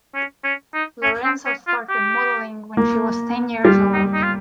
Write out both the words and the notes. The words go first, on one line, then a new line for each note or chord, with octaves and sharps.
Lorenzo started modeling when she was ten years old.
C#4
C#4
D#4
C#4
C4
C#4
F4
G4
A#3
G3 F4
D#4
D#4
F4